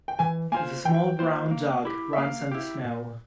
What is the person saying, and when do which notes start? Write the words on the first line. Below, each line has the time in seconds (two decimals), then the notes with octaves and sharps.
The small brown dog runs in the snow.
0.08 G5
0.19 E3 G#5
0.52 A#3 F4 C5 G#5
0.85 E3 G5
1.19 A#3 F4 C5
1.51 A#3
1.85 E4 G4
2.13 E5
2.18 A#3 F5
2.52 E4 G4
2.84 A#2